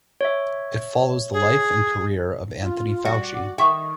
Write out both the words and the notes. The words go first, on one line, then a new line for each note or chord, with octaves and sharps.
It follows the life and career of Anthony Fauci.
C#5 E5
G#4
F4
F#4 D5 F#5
D#3 E5 G5 C#6 D#6